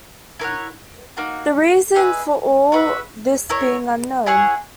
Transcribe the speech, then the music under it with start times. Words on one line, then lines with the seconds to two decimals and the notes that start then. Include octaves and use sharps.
The reason for all this being unknown.
0.39 E4 A#4 C#5 F#5
1.17 A#3 D#4 F#4
1.95 D#4 G#4 B4 E5
2.72 F#4 B4 E5
3.50 E4 A#4 C#5
4.26 E4 G#4 C#5 F#5